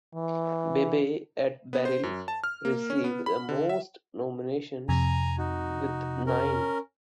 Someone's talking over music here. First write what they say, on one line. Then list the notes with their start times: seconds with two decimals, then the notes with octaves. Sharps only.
Babae at Baril received the most nominations with nine.
0.15 E3
1.73 B3
1.85 C5
2.03 F#2
2.28 A5
2.44 F6
2.65 A#3
2.90 C#4
3.04 B3
3.26 B5
3.49 D3
3.69 E5
4.89 F2 C3 G#5 A#5
5.38 D#4 F#4
6.27 C#4 A#4